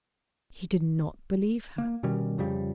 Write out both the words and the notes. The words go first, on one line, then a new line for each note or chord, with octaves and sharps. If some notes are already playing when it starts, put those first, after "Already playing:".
He did not believe her.
A#3
B2 D#3 G3 C#4
F2 C#3 F3 G3